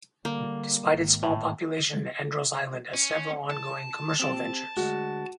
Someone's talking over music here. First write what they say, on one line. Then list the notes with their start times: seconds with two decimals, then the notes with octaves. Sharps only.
Despite its small population, Andros Island has several ongoing commercial ventures.
0.25 D3 G3 A#3
0.85 G#1 D#3
1.23 A2
2.94 C#4
3.50 A5
4.20 C4 G4
4.77 D2 G#3 F#4